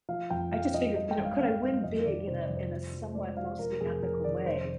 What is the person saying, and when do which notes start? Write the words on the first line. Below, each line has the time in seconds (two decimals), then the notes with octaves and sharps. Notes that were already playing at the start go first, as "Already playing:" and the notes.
I just figured, you know, could I win big in a in a somewhat, mostly ethical way?
0.09 F3 F5
0.30 F2 G5
0.52 F2 F5
0.74 F3 D#5
0.96 G2 D#5
1.11 G5
1.18 G#1
1.25 F5
1.40 G#1 F5
1.62 G2 F5
1.84 F2 D#5
2.06 D#3 D5
2.27 C3 C5
2.42 D5
2.49 F2
2.57 C5
2.71 F3
2.93 F3
3.15 G#3 D5
3.37 F3 F5
3.59 F1 A#4
3.81 F1 G#4
4.02 F1 A#4
4.24 D#3 D5
4.46 F1 C5